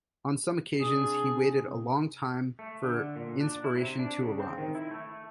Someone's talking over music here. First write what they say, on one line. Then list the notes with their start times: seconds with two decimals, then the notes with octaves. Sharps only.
On some occasions he waited a long time for inspiration to arrive.
0.80 C3 D4 G#4
2.59 A3
2.84 D3
3.16 A#2
3.40 D4
3.64 E4
3.78 C3
3.99 D4
4.20 C#3
4.39 C4
4.58 D#3
4.75 E4
4.91 A3